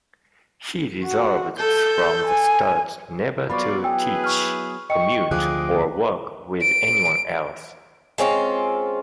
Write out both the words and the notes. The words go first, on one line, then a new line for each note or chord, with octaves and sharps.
He resolved from the start never to teach, commute, or work with anyone else.
F#4
A4 G6
G#5
F#3 B3 F4 D5 B5 C#6
E4 G#4 B4 G5 G#5 E6
C#6 F6
D#5 G5 C#6 C#7
D2 F3 G#4 D#5 G5 D6 F#6
D7
G#3 C4 C#4 F4